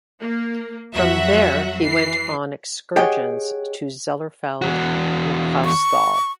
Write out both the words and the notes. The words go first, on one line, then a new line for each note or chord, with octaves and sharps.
From there he went on excursions to Zellerfeld and Clausthal.
A#3
F2 F#3 F#4 E5 F#5
E3 C7
G4 G#4 C#5 D#5 F#5 G5
E2 F#4
C#6